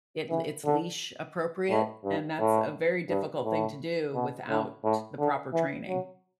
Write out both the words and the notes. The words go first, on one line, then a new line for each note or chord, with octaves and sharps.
it it's leash appropriate, and that's a very difficult thing to do without the proper training.
E3
D3
A2
G2
A2
G2
A2
B2
A2
A2
D3
E3
F#3